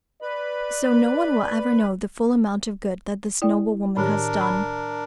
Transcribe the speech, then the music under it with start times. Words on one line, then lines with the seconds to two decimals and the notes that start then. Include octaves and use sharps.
So, no one will ever know the full amount of good that this noble woman has done.
0.22 B4 D5 B5
3.42 E4 D5 G5
3.97 A2 D#3 D4 G4 A#4
4.41 B5